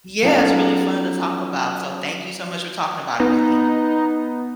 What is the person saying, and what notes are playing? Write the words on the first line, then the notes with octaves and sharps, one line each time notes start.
Yeah, it's really fun to talk about. So thank you so much for talking about it with me.
F#3 B3 C#4 D#4 F4 A4
B3 D#4